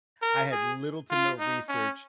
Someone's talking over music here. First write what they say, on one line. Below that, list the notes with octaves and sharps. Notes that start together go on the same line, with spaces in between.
I had little to no research,
A#4
G#4
F4
D#4
C#4